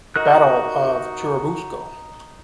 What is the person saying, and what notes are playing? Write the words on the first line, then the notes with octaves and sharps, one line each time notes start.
Battle of Churubusco.
D#4 F#4 A#4 F#6